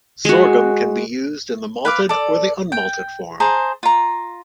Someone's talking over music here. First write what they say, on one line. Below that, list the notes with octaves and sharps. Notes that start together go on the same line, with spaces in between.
Sorghum can be used in the malted or the un-malted form.
G#3 F#4
B4 F5 D6
A4 D5
G5
G#4 C5 A5 A#5
F4 A#5